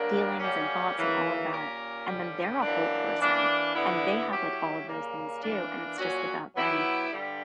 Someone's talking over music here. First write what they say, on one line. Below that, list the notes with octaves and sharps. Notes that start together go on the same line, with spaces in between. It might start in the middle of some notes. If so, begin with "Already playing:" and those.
feelings and thoughts and all of that. And then they're a whole person and they have, like, all of those things, too, and it's just about then
Already playing: G2 F#3 A#3 D4 A#4
F#2 C#3 G3 A#3 C#4
F#2 C#3 E3 A#3
A#2 A#3 C#4 G4 A#4
G2 D3 G3 C#4 G4
F#2 E3 A#3 D4
E3 A#3 D4
D3 G3 B3 E4
F#3 C#4 E4 G4
C#3 G3 A#3
E3 A#3 D4
A#2 F#3 C#4 F#4
F#3 B3 E4 G4
G2 D3 G3